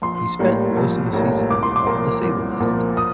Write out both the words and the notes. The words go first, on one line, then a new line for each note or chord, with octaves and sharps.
He spent most of the season on the disabled list.
A#1 C6
A2 G3 A#3
A#1
A2 G3 A#3
C2 D6
C6
D6
A#2 F3 A#3
C2
A#2 F3 A#3
D#6